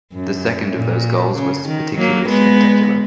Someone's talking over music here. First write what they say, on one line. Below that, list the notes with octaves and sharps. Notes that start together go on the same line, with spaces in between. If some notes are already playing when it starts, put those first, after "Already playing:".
The second of those goals was particularly spectacular.
F#2
A#2
C#3
D#3
F#3 A#3
G#3 B3